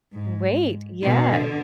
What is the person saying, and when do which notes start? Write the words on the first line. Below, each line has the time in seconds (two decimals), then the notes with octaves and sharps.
Wait, yes.
0.13 G#2
1.03 B2
1.33 D3